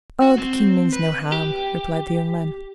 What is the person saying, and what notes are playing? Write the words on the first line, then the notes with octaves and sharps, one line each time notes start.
"Oh! the king means no harm," replied the young man.
F#4
C4
B4
G4